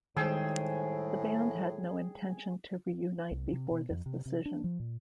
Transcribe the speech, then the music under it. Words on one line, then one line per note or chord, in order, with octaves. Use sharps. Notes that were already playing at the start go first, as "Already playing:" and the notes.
The band had no intention to reunite before this decision.
A2 D#3 G3 G#3 G#4 C5 G5 E6
C2
C3
B2
F2
C3
C3
D4
F3
A#2